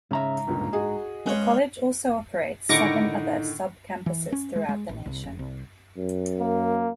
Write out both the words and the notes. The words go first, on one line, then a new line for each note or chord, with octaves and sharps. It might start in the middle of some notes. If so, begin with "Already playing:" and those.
The college also operates seven other sub-campuses throughout the nation.
G#2 C#3 E5 A#5
G1 C#2 A#2
F#4 G#4 D#5
G#3 C#4 B4 C#5 F5
A2 D3 D#3 D#4 C#6 D6 A#6
E3
C#4
G#3
G#3
A1
C2
F1
C2
F#2
A#3